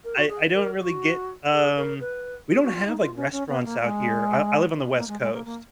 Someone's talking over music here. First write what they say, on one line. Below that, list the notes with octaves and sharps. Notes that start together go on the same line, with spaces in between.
I I don't really get, um we don't have, like, restaurants out here. I I live on the West Coast.
A#4
F#4
G#4
A#4
G#4
F#4
G#4
A#4
B4
G#4
F#4
F4
D#4
F4
C#4
C#4
B3
A#3
A#3
G#3
A#3
G#3
G#3
A#3
A#3